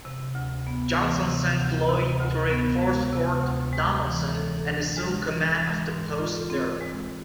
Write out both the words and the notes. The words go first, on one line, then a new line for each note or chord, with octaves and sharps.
Johnston sent Floyd to reinforce Fort Donelson and assume command of the post there.
C3
D2
B3
E3
C3
D2
C3
D2
B3
G#3
C3
D2
G#3
E3
A4
D4
G#3
E3
G#3
G#2
F4
C4
G#3